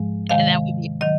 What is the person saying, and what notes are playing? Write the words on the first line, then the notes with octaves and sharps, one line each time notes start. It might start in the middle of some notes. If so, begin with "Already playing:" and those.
And that would be
Already playing: G#2 F3 G#3
C3 D#3 G#3 F5
D#3 F#3 D#5